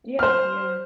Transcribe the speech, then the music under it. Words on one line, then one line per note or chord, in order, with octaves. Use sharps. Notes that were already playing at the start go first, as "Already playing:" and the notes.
Yeah, yeah,
C5 F6